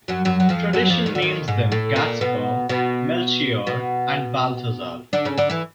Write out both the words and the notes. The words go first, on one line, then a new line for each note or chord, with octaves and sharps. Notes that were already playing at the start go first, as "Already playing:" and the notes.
Tradition names them Gaspar, Melchior and Balthasar.
F#2 F#3
F#2 F#3
F#3
F2 F3
F#2 F#3
F2 F3
D#2 D#3
D3
D#2 D#3
G#2 G#3
A2 A3
A#2 A#3
B2 B3
B2 B3
B2 B3
D3 D4
C#3 C#4
D3 D4
E3 E4